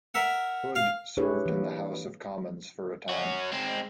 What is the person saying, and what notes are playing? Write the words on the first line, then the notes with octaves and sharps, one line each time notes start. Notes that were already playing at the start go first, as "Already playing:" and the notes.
Hood served in the House of Commons for a time.
A#4 E5 F#5
F5
D4 E4 G4 G#4 B4 C#5
E3 A#3
C#4 F#4
G#3 C4